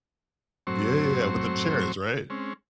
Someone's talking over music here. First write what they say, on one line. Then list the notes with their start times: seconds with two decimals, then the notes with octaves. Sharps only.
Yeah, yeah, with them chairs, right?
0.67 F#2 A2 F#3 C4 C5 C#6
2.30 G#3 C4 C#4